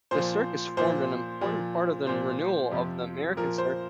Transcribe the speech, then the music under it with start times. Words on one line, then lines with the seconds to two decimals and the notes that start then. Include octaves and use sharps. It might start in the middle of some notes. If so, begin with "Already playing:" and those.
The circus formed an important part of the renewal of the American circus.
0.11 A#2 F3 C5
0.77 A#2 F3 C5
1.41 A#2 F3
2.06 A#2 F3 C5
2.71 F2 C3 F3
3.37 A#2 F3 A#4
3.58 C5